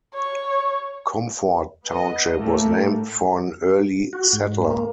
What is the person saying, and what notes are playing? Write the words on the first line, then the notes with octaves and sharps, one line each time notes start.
Comfort Township was named for an early settler.
C#5
B3 D#5
A2 A3 A#3
F#4
G#2
A#3